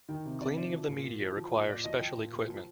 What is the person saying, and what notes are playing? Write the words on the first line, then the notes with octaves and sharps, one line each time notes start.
Cleaning of the media requires special equipment.
D#3 G5
C3
C3 D5
D#3 D5
F3
A#2
A#2
F3
F3
A#2
A#2 D5
F3 D#5
F3 G5
A#2
A#2
F3